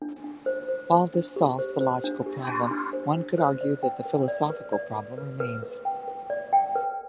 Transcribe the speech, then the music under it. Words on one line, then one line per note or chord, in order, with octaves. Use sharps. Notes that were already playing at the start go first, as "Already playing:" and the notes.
While this solves the logical problem, one could argue that the philosophical problem remains.
D4
D4
C5
C5
C5
D4
G4
C5
C5
D4
G4
D4
D4
C5
D4
C5
D5
G5
B4
D5
B4
D5
B4
B4
B4
B4
G5
B4
D5
G5
B4